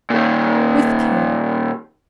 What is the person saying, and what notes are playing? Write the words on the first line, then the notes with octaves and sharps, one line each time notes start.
With care!
A#2 D#3